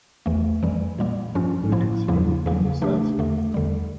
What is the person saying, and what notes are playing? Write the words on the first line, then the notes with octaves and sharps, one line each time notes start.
Critics predicted disaster.
E2 E3 A3
F2 E3 G3
A#2 G3 A#3
G2 F3 C#4 F4
A2 F3 A#3 E4
E2 C#3 F3 A#3 E4
E2 C#3 E3 A#3
E3 A3 D4 G4
E2 D3 A3
E2 D3 G3